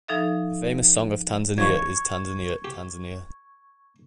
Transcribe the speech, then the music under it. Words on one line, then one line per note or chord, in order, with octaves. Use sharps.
A famous song of Tanzania is Tanzania Tanzania.
F3 D#4 A4 E5
D#3 F3 F#3 C#6 G#6
G4